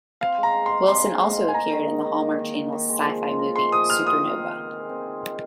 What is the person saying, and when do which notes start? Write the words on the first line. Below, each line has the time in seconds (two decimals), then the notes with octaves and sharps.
Wilson also appeared in the Hallmark Channel's sci-fi movie, "Supernova".
0.21 C4 F5
0.38 G#3
0.43 A#5
0.54 D#4
0.66 C6
0.71 G#3
0.88 C4 C6
1.05 G#3
1.22 D#4
1.38 G#3
1.48 G#5
1.54 A#3 A#5
1.72 D#3
1.88 D#4
2.04 D#3
2.22 A#3
2.39 D#3
2.55 D#4
2.72 D#3
2.89 G#3
3.06 F3
3.23 F4
3.39 A#4
3.55 G#3 C6
3.72 F3 D#6
3.90 F4 F6
4.06 A#4 D#6
4.23 C4
4.39 D#3
4.57 D#4
4.73 G#4
4.89 C4
5.07 D#3
5.24 D#4